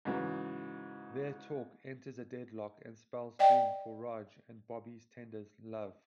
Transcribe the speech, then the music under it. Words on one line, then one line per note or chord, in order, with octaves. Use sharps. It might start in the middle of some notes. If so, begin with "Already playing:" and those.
Their talk enters a deadlock and spells doom for Raj and Bobby's tender love.
G#2 C#3 E3 F#3
D5 D#5 G5